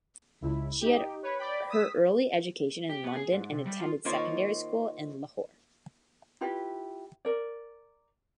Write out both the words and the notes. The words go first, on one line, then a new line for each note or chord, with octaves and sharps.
She had her early education in London and attended secondary school in Lahore.
C#2 E4
D#4 G4
B4 C#5
D5 G5 B5
D#6 E6 B6
G4
B3
G#4
G#2
C3
G3
F4
D#3 A#3 D#4 F4 C5 C#5
E4 F4 G4 B4
A#4 D5